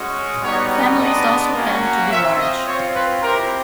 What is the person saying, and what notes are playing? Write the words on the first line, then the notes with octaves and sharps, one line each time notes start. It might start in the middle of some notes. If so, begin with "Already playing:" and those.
Families also tend to be large.
Already playing: G#3 C#4 F#4
G3 B3 D#4 F#4 C#5
G#3 B3 D4 D#5
A#3 C#4 F#4
C4 F4 E5
D#5
C4 F4 C#5
B4
C4 E4 G4 A#4